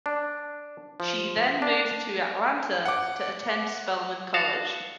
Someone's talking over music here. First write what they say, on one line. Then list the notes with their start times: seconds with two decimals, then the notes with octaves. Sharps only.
She then moved to Atlanta to attend Spelman College.
0.06 D4
1.00 F3
1.62 D4
2.85 F#5 D6
4.34 F#4 F5 A5